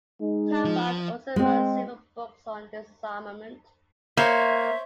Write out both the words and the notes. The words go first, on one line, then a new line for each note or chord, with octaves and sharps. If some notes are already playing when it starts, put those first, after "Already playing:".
Talbott also wrote several books on disarmament.
G#3 D#4
F3
G#3 C4
A#3 C5 C#5 E5